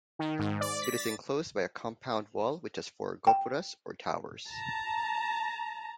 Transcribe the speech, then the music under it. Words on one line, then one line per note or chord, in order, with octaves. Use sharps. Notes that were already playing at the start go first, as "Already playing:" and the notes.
It is enclosed by a compound wall which has four gopuras or towers.
D#3
G#2
D5
B6
A6
G5
A5 A#5